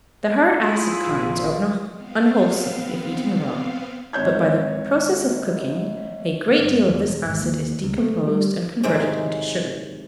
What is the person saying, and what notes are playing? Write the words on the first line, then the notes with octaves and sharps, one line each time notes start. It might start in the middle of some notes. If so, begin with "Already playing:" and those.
The hard acid kinds are unwholesome if eaten raw; but by the process of cooking, a great deal of this acid is decomposed and converted into sugar.
E4 F4 G#4
A#1
B3 C4 F5
G#1 C#5 G6 G#6
G1
E2
E1
G#1
D#2
C#2
A3
G3
G#2 C3 D#3 E3 F#3 G#3